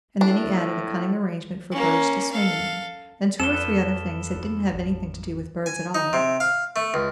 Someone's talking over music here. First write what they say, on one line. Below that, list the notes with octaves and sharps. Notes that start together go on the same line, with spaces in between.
And then he added a cunning arrangement for birds to swing in, and two or three other things that didn't have anything to do with birds at all.
A2 D4
A#3 C#4
A4 F5
F2 A4 B4 E7 G7
D#4
A1
G#5
D#4
C3
F5
A3
C#2